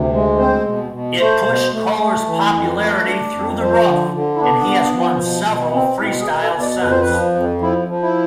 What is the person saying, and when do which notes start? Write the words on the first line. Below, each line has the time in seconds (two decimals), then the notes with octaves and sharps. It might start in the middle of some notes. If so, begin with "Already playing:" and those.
It pushed Koehler's popularity through the roof and he has won several freestyles since.
Already playing: D2 C3
0.13 G#3
0.39 C4 C5
0.66 B2
0.92 B2
1.20 A3 C5
1.46 B2
1.73 A3
2.00 A3
2.27 E3
2.53 F2
2.79 A3 B4
3.07 D4
3.33 F2
3.60 F3 C5
3.87 D3
4.14 D3
4.36 E4
4.40 B3 D4
4.68 B3
4.94 F3
5.20 B2
5.47 B2
5.74 C4
6.01 B2 E4
6.21 G#4
6.28 B2
6.42 A4
6.54 B2
6.61 D5
6.81 F2 B4
6.91 C5
7.01 B4
7.08 F3
7.35 F2
7.61 F3 E4
7.88 F3
8.02 E4